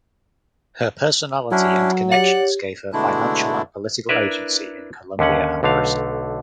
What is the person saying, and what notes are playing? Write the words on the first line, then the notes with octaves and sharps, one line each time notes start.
Her personality and connections gave her financial and political agency in Colombia and Britain.
F#3 C#4 D4 E4
G4 C#5 D5 F#5
B2 D3 G#3 A3 D4 E4
D4 E4 A#4 B4 E5
D#2 D3 C#4 F#5
B1 D3 A3 F5